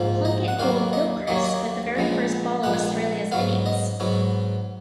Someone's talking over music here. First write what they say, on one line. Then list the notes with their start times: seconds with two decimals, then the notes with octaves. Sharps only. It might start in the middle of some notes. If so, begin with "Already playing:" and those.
Plunkett bowled Gilchrist with the very first ball of Australia's innings.
Already playing: A#1 G#2 F3
0.25 D#5
0.48 F#5
0.59 D#2 D#3 F#3 A#3 F5
0.93 D#5
1.27 D#2 D#3 F#3 A#3 D#5
1.36 C#5
1.44 D#5
1.95 A#1 A#2 G#3 B3
2.63 A#1 A#2 G#3 B3 F#5
3.31 G#2 F#3 B3 F5
3.66 D#5
4.00 G#2 F#3 B3